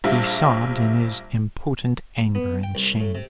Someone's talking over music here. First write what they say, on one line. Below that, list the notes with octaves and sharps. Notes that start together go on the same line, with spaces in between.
He sobbed in his impotent anger and shame.
A#1 G3 F4 E5
B3
G5
C2
A2
C3